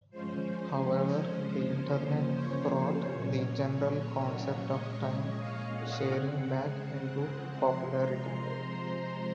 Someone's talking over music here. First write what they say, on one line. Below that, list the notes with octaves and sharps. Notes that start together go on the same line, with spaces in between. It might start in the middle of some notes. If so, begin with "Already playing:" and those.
However, the Internet brought the general concept of time-sharing back into popularity.
F3 G#3 C#4 C5
C5
C#3 F3 A#3 C#4
C#5
A#2 F#3 C#4
A#2 G#3 C#4 D#5
F5
F#5
C#3 G#3 C4
C3 F3 G#3 C6
A#5
C5